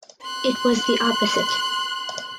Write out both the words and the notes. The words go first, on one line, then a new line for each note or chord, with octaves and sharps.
It was the opposite.
C6 F#6